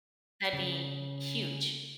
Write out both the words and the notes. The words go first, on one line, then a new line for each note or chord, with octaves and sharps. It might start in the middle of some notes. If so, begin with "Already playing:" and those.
That'd be huge.
C#3